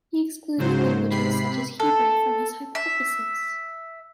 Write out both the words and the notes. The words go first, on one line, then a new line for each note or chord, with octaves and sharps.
He excluded languages such as Hebrew from his hypothesis.
G#2 C#3 F#3 C5
C3 B5 C7
A4
E5